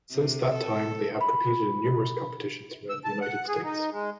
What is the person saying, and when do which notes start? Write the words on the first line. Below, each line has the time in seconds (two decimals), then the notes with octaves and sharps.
Since that time, they have competed in numerous competitions around the United States.
0.12 C3
0.54 A4
1.21 B5
2.90 E6
3.04 A5
3.21 F#5
3.48 G#4
3.64 D#4
3.93 G#3